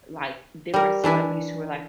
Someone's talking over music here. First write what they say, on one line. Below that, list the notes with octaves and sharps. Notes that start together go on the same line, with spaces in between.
like different celebrities who were, like,
G3 A#4
E3 D4 E4 G#5